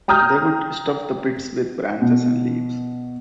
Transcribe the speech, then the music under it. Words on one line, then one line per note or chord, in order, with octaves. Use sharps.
They would stuff the pits with branches and leaves.
G5 A#5 D#6 F6 G6
B2